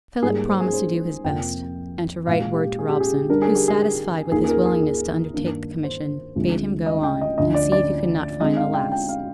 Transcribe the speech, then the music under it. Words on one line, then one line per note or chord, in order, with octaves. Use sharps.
Philip promised to do his best, and to write word to Robson, who, satisfied with his willingness to undertake the commission, bade him go on and see if he could not find the lass.
G#2 G3 A#3 G#4
C5
G#4
C5
F2 C3 F3 A#3 G5
A#2 F3 G#3 F5
G4
G#4
G4
G#4
D3 G3 D4 A#4
G#4
G4
G#4
D#2 D#3 A#3 F4 G#4
G#4
A#4
G#4
G#4
G2 D#3 A#3 D4
C5
D2 D3 F3 G#3 C4
D#5
G5
D#5
D2 D3 F3 D#5
D5
D5
D3 G#3 C4 D#5
F5
G5
G5
F5